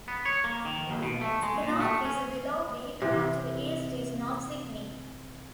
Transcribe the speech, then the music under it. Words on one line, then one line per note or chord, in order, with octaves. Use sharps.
To the north is the Willoughby and to the east is North Sydney.
B3
C#5
A#3
D#3
D#2
B2
A3
G#3
A#2
A3
C#4
C3 E3